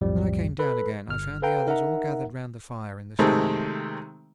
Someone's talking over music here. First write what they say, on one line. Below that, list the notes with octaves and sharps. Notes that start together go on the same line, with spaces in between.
When I came down again I found the others all gathered round the fire in the study.
B1 F2 A2 F3 G3
A4 B4 B5
G1 F6
A4 B4 F5 G5 A#5
D#4 A#4 E5 F#5 A#5
C3 D#3 G#3 A3 C4